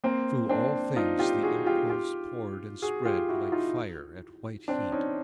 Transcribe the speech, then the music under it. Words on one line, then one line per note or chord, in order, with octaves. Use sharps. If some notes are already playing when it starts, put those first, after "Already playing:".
Through all things the impulse poured and spread, like fire at white heat.
A#3 C4
C4 D4
D#4 F4
F4 G4
F#4 G#4
F4 G4
F4 G4
F#4 G#4
F4 G4
E4 F#4
D#4 F4
C4 D4
C#4 D#4